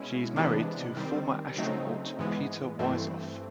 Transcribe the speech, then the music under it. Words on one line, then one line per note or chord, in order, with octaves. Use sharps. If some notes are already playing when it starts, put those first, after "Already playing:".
She is married to former astronaut Peter Wisoff.
Already playing: B2 G#3 C#4 E4
C3 E3 G#3 B3 D4
D#3 G3 C4
C#3 F#3 A3 C4 D#4
G#2 E3 G#3 B3
G2 E3 A3 C4